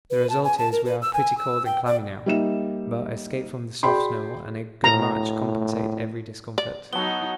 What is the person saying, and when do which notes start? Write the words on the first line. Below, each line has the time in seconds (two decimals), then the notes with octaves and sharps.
The result is we are pretty cold and clammy now, but escape from the soft snow and a good march compensate every discomfort.
0.11 B4
0.30 A5
0.44 G#5
0.58 A5
0.72 A#4
0.86 B4
1.02 E6
1.14 G#5
1.38 E6
1.66 G5
1.86 D5
2.26 G3 A#3 D#4 E5 E7
3.83 F#4 G#4 D5 G5 B5 C6
4.84 A2 A#5
6.58 D5
6.93 F#3 B3 D#4 F#4 A4 A5 G7